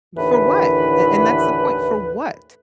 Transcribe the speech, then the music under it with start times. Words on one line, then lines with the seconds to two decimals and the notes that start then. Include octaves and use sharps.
for what, a and that's the point, for what?
0.17 D#2 A2 D3 E3 B4